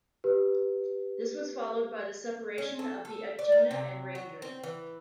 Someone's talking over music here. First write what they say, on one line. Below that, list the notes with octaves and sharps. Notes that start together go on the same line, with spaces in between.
This was followed by the separation of the Agena and Ranger.
G4 B4
C#4
A4
A4
D5
D#4
C3
F#3
C4
E3